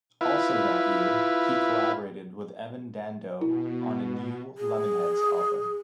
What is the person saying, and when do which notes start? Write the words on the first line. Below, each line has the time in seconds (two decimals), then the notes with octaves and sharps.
Also that year, he collaborated with Evan Dando on a new Lemonheads album.
0.21 E4 F4 B4
3.41 B2 E4
4.58 G#4